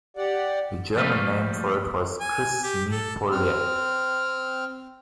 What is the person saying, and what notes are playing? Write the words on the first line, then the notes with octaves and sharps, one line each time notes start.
The German name for it was Krisnipolye.
G4 D5 F#5
F3 G3 A3 A#3 B4 F5
G#5
G4
A4
C4 F6